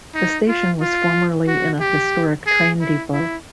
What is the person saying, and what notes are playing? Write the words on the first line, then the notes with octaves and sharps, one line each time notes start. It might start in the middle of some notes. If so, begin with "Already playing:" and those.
The station was formerly in a historic train depot.
D#4
F4
F4
F#4
G4
G#4
E4
E4